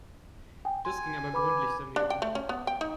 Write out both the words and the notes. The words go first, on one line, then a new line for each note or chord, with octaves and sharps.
Das ging aber gründlich daneben.
G5 G#5
G#5 C6
B4 B5 D6
D4
G5
A3
C#4
B3
G5
D#4